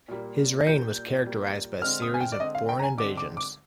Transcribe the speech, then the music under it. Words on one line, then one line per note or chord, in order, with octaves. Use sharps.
His reign was characterised by a series of foreign invasions.
A#2 G3 A#3
A#2 G3 A#3 G6
A#2 G3 A#3
D3 G#3 C4 F6
D#6
G#5
G5
D5
D3 G#3 C4 D#5
F5
G5
A#5
G#5
D3 G#3 C4 D6
D6
D6